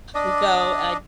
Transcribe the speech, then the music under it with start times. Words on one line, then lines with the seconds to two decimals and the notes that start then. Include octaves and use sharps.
we go I
0.15 D4 D5 D#5